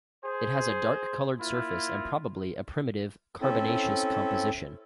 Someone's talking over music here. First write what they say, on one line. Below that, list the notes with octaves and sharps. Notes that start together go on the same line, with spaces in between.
It has a dark-colored surface and probably a primitive carbonaceous composition.
G#4 C5
A#3 E4 F4
C4 C#4 E4 A4